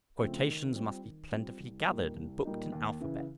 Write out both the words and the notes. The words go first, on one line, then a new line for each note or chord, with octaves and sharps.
Quotations must be plentifully gathered and booked in alphabet.
C#3 F3 A3 C4
D#3
G3 C4 F4
D#3
G3 C4 F4
C2
A#2 G3 A#3 D#4
C2
A#2 G3 A#3 D#4
D#2
C#3 E3